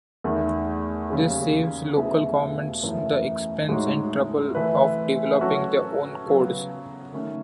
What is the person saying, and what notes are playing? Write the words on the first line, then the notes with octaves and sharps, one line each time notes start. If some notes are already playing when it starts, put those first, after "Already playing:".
This saves local governments the expense and trouble of developing their own codes.
E2 D#3 A3
D#2 C#3 F#3 C#4 G#4
B2 A3 E4 G#4 B4
F#2 E3 A3 E4
A2 G#3 D#4 F#4 C#5
E3 A3 E4 B4
F#3 C#4 F#4 A4 C#5
C#3 F#3 B3
D#3 A3 C#4